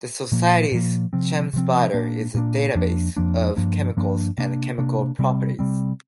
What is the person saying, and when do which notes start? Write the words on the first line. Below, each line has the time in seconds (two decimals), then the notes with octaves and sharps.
The society's ChemSpider is a database of chemicals and chemical properties.
0.32 A#2 F3 A#3
0.72 A#2 F3 A#3
1.13 C3 F3 C4
1.53 C3 F3 C4
1.93 A#2 A#3 D4
2.34 A#2 A#3 D4
2.75 F2 F3 A#3 D4
3.17 F2 F3 A#3 D4
3.56 G2 F3 A#3 D4
3.97 G2 F3 A#3 D4
4.38 C3 A#3 D4
4.78 C3 A#3 D4
5.19 C3 G3 C4
5.59 C3 G3 C4